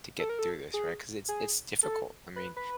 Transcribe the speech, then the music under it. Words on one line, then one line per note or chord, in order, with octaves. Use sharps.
to get through this, right? 'Cause it's it's difficult. I mean,
A4
A#4
A4
G#4
G#4
A4
B4
B4